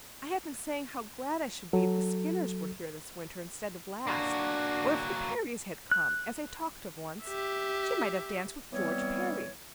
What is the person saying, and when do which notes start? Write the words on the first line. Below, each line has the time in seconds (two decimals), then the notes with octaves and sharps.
I have been saying how glad I should be if the Skinners were here this winter instead of last; or if the Parrys had come, as they talked of once, she might have danced with George Parry.
1.73 F#3 A4
4.07 A#3 D4 F#4
5.91 F#6
7.25 G4 E5
8.72 E3 G3 B3 C4 C#5